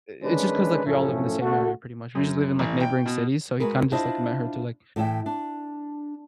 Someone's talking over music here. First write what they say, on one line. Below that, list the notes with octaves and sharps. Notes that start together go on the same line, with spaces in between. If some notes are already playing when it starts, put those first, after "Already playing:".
i it's just 'cause, like, all live in the same area pretty much, we just live in, like, neighboring cities, so he kind of just like met her through, like,
D#3 G#3 C#4 D4 B4
F#2 A2 F3 A3 C#4
C#3 A3 F#4
F#2
A1
G5
B2
G#3 F#4 G#4 A#4 B4
D4 E4 F4 C5 D#5
A2 E3 E5 G5
D4